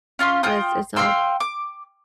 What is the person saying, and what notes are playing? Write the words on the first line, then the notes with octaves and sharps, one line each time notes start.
Uh, it's it's all
C#4 F4 F5 C6
F4 G5 D#6
F5 G5 C6 E6
D6